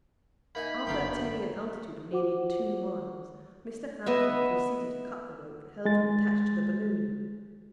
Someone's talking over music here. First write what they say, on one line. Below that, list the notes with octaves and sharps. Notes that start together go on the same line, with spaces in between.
After attaining an altitude of nearly two miles, Mr. Hampton proceeded to cut the rope that held him attached to the balloon.
A#3 D#4 E5 F#5 G#5 B5
F#1 D3 A3 B3 F5 G5 A#5
F4 F#4 C5 F#5 D6
B3 D#5 E5
G#3 A6